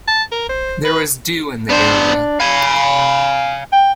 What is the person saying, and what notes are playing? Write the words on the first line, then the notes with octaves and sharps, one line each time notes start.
There was dew in the area.
A5
A#4
C5
B4
B3 D4 C5
F5 G#5 B5
G5